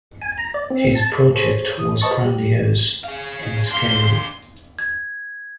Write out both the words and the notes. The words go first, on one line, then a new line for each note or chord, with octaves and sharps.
His project was grandiose in scale.
G#5
A#5
D5
C4
A5
G#4 A4 C5 C#5
E3 D#6
B4 C5 D#5 A5 C#6 A6
G3 G4
G#4 F5
D4 F5 C6
G#6